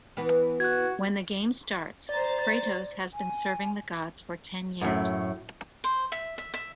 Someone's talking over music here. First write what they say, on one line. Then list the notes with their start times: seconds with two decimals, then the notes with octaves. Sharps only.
When the game starts, Kratos has been serving the gods for ten years.
0.17 E3 B3 B4
0.60 F#4 F#6 G#6
2.09 C5 D5 A#5 A6
3.14 G#5
4.81 F#2 A2
5.84 C5
6.12 E5
6.38 E5
6.54 E5